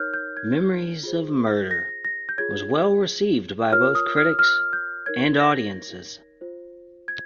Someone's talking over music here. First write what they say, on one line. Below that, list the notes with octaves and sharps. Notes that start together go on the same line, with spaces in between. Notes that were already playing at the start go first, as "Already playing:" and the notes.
"Memories of Murder" was well received by both critics and audiences.
Already playing: D#4 A#4 C#5 F6 G6
G6
G#6
F4 G#4 C5
A#6
A#6
G6
F4 G#4 C#5 G#6
F4 A#4 C#5 F6
D#6
F6
F6
G6
D#4 A#4 C#5 G#6
A#6
F4 C5
G#6